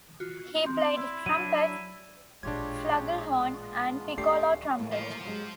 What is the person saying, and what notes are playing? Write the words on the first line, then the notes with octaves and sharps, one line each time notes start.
He played trumpet, flugelhorn, and piccolo trumpet.
F4 F#4
C4 C6
E4 D5
F#3 D4 D#7
A1 A#2 G#3 D4 F4 G4 C#5 G#6
B3 F4
D1 A3 D4 G4 C7
A2 A#3
F3 F4
F#3 G#3 G4